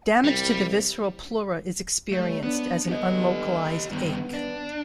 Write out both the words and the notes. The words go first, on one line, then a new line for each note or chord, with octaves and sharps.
Damage to the visceral pleura is experienced as an un-localized ache.
C2 G3
D3 G3 A3 C#5
B3 D4
D3 G3 B3 G4 D#5
G2 D#3 B3
D4